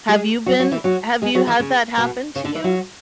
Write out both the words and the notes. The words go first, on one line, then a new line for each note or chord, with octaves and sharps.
Have you been have you had that happen to you?
G#3 G#4
F#3 F#4
F#3 F#4
E3 E4
F#3 F#4
G#3 G#4
F#3 F#4
E3 E4
C#3 C#4
B2 B3
C#3 C#4
D3 D4
E3 E4
F#3 F#4